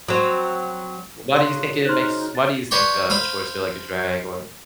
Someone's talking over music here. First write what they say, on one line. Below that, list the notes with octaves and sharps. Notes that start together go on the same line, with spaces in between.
why do you think it makes why do you think, uh, chores feel like a drag, or
F#3 C4
C#3 F#3 F5 C6
D#4 C5 C6 F6 F#6
A6
B4 C#5 D5 G5 C6
C5 F5 B5